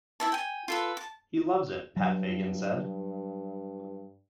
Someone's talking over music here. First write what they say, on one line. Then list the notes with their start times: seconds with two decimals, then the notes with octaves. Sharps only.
"He loves it," Pat Fagan said.
0.20 E4 E5 A5
0.32 G5 G#5
0.68 F4 A4 B4
0.97 A5
1.96 G2 F#3